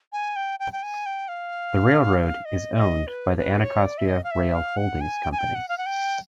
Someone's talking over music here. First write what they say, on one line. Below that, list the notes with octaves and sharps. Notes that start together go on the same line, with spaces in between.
The railroad is owned by the Anacostia Rail Holdings Company.
G#5
G5
G5
G5
G#5
G5
F5
D#5
D#5
B4
B4
C#5
D5
E5
D#5
F5
E5
F5
F#5
G#5
G5
G#5
G5
F#5
F5
F#5
G5